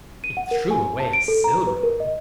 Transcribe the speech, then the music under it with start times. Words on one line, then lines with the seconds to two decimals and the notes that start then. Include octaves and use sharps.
He threw away his silver money.
0.24 D#7
0.37 F#5
0.51 A#4
0.71 G#5
1.00 A5
1.13 D7
1.28 A4
1.44 A#5
1.67 B4
1.83 A#4
2.00 D#5